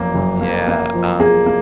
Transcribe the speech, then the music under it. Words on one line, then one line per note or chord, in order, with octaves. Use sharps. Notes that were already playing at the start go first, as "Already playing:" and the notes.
Yeah, um
Already playing: F#1 F2 A#3
F#1
A#3
A#3
F3
A#3 G#4
A#3